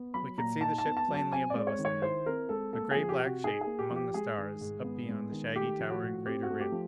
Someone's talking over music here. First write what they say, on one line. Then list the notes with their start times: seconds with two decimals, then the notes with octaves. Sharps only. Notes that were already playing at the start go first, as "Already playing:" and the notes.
We could see the ship plainly above us now, a gray-black shape among the stars up beyond the shaggy, towering crater rim.
Already playing: B3
0.14 F#3 B5
0.38 A#2 A#5
0.61 D#4 A5
0.78 A5
0.85 B3
0.97 A5
1.08 F#3
1.14 A5
1.32 C4 G#5
1.50 G#3 D5
1.67 C#5
1.79 D#3
1.85 C#5
2.02 E4 C5
2.26 C4 A#4
2.49 G#3 A4
2.73 A#3 A4
2.91 F3 G#4
3.09 G4
3.20 C3
3.26 F#4
3.44 D#4 G#4
3.61 G#4
3.66 A#3
3.79 G4
3.90 F3
3.96 G4
4.14 G#3 G#4
4.38 D#3
4.61 G#2
4.84 B3
5.09 G#3
5.32 D#3
5.55 A3 G4
5.79 F3
5.90 F#4
6.03 A2
6.26 C4 G4
6.43 F#4
6.50 A3
6.60 G4
6.72 F3